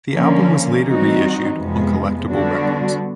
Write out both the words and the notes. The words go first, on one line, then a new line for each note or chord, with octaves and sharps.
The album was later reissued on Collectables Records.
D3 F3 A#3 C#4
E3 G3 C4 D#4 F#4
F2 C3 F3 G#3 B3
D3 G3 B3 D4 F#4